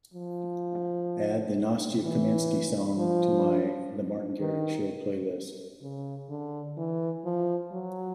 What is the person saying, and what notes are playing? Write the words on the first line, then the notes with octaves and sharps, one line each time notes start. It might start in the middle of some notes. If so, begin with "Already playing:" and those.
Add the Nastya Kamenskih song to my The Martin Garrix Show playlist.
F3
E3
F3
D#3
C#3
D3
E3
F3
F#3